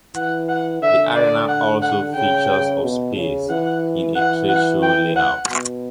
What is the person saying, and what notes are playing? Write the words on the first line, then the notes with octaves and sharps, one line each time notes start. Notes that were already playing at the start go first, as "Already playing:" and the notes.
The arena also features of space in a trade show layout.
E3 F#5
F#5
D3 E5
D5
F#5
F#5
C#3 G5
B2
C#3
E3 F#5
E3 F#5
F#5
G5
F#5
B2